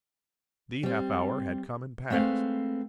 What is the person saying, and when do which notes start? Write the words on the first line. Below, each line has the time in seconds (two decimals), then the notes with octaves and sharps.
The half-hour had come and passed.
0.83 G3 C4
2.10 G#3 A3 C4 B4 F5